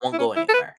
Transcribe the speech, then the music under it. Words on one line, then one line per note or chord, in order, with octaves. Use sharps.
won't go anywhere,
E4
C#4
E4
A4
B4